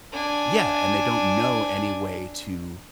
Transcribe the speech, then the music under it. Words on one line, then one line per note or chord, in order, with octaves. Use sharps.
Yeah, and they don't know any way to
D4 G#5